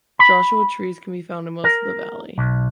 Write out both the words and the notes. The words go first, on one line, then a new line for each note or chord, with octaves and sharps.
Joshua Trees can be found in most of the valley.
B5
A#4
B1